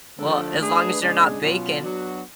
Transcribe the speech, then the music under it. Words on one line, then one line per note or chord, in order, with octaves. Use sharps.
Well, as long as you're not baking.
D3 F3 A3
A3 D4 G#4 B4
C#3 G#3 D4 G#4
B2 F#3 C#4 F4
F#3 B3 D4 F#4